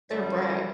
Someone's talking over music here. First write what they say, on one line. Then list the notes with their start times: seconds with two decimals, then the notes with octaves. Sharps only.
They're a brat.
0.09 F#2 D3 G3